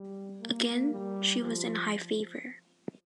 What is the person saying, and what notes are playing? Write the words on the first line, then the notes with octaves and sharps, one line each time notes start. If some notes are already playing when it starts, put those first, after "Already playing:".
Again she was in high favour.
Already playing: G3
A#3
G3
F3